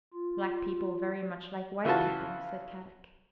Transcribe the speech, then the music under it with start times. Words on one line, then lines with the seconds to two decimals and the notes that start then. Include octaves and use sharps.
"Black people very much like white people," said Kadok.
0.13 F4
1.85 C#3 E3 F4 F#4 A5